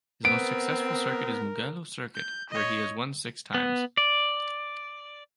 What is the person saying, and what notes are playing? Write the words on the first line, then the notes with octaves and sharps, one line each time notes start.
His most successful circuit is Mugello Circuit where he has won six times.
B3 C4 A#4 D7
G6
C#5 D#5
B3
D5